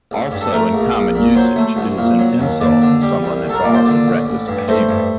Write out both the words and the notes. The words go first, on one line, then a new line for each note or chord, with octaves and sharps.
Also in common usage it is an insult for someone involved in reckless behavior.
A1
G2
A4
A3 A#4
A#1
A#1
A#2
F#3 C5
A3
C2
A#2
F#3
D#2
D#2 D5
D3
G3
C2
C2
A4
A#4
A#2 D5
C5
D3 D5
A1
A1
G2
A3 C5
G2